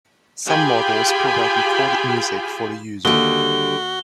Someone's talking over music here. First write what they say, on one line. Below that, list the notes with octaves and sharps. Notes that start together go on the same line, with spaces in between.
Some models provide recorded music for the user.
F4 G4 G#4 G5 G#5 B5
D#2 D3 G3 F#4 G7